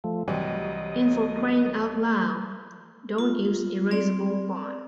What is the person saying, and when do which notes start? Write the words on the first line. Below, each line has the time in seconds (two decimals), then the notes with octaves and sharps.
And for crying out loud, don't use erasable bond.
0.04 F3 A3
0.28 C2 E3 F#3 G3 D#5
3.18 F4
3.91 C4 D5